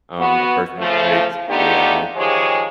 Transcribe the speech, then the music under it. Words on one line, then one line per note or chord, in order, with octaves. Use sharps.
um, a person who creates AI
B3 F#4
C#3 F3 A3
A3 B3 D4 D#4 F4 G4
D#3 F3 G#3 G4 G#4 C#5